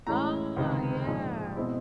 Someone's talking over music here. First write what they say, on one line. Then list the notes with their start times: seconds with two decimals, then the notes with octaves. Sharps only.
Oh, yeah.
0.07 A2 E3 G#3 C#4 A#5
0.56 C#2 C3 D#3 G#3
1.07 A#1 G#2 F3
1.57 B2 G#3 C4 E4